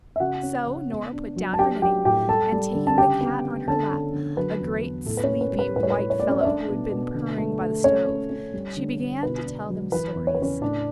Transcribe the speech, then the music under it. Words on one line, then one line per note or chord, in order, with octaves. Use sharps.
So Nora put down her knitting, and taking the cat on her lap, a great sleepy white fellow who had been purring by the stove, she began to tell them stories.
E5
C#3 F#4 F#5
C#4
C#3
B3
D4
F#3
A5
D4 G4 G5
F#3 G4 G5
A2 G4 G5
G3 A4 A5
G3
D3
A5
C#3 G4 G5
B3
B3
D3 A4 A5
C#4
D3
F#3 B4
E2
B3
A2 A4
B4
C#4 C#5
A2
B4
G3
B4
A2 B4
C#5
B4
A2
C#5
A3 D5
C#4 C#5
E5
D4 D5
B2
B2
D3
A3
A3
C#4 C#5
C#4
C#4
G3
D3
D3
B2 B4
D4
F#3
E3 B4
E2
C#5
B4
C#3 C#4 C#5
A2 D4 D5